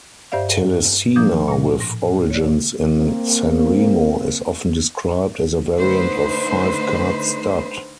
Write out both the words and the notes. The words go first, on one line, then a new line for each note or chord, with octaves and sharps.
Telesina, with origins in Sanremo, is often described as a variant of five-card stud.
G2 G4 C5 D5 E5 F5
F3 A#3 D4 D6 D#6 G6
A#2 A#6
A2 A#6
C#5 D5
A#3 C4
D3 A3 D#4 B4 C5